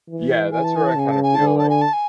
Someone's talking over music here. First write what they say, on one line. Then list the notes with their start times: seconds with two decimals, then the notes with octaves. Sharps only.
yeah, that's where I kinda feel like,
0.09 E3
0.52 E3 G#5
0.64 A5
0.76 G#5
0.87 A5
0.96 C#3 G#5
1.11 A5
1.23 G#5
1.35 D3 A5
1.47 G#5
1.58 A5
1.69 G#5
1.81 A5
1.93 G#5